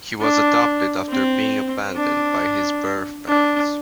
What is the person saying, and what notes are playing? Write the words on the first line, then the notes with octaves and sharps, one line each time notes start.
He was adopted after being abandoned by his birth parents.
D4
C4
D4
D4